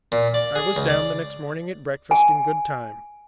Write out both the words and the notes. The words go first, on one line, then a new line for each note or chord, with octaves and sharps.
I was down the next morning at breakfast in good time.
A#2
D5
G#4
C#2
D5
G#5